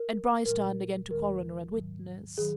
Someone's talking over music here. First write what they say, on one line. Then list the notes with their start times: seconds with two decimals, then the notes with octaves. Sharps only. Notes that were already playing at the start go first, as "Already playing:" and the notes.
And Bryce turned again to Coroner and witness.
Already playing: A#4
0.46 A#2 F3 G#3 A#4
1.10 D#2 D#3 G#3 A#4
1.74 G#2 D#3 F#3
2.38 D#3 F#3 G#4